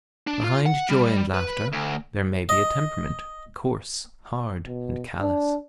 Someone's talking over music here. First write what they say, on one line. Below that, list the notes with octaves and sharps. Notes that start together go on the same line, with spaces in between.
Behind joy and laughter there may be a temperament, coarse, hard and callous.
D4
F4
F#5
G3
B4
D2
D#5
B2
D4